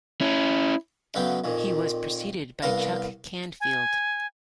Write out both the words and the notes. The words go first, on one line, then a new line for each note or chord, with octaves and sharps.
He was preceded by Chuck Canfield.
C#4 E4
D2 C#3 F#3 B3 F5 G5
F2 A#2 D#3
C2 B3 A#4 F5 C6
G#5